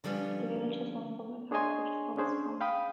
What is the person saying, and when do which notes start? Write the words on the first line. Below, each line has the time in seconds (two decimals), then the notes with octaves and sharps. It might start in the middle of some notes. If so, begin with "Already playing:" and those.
The village has one public house which is called the Swan.
0.04 D3 F3 G3 B3 C#4
1.51 D4 G#4 C#5 D#5 G#5 C6
2.17 C#4 D4 G#4 C5
2.61 F5 G5 B5 D#6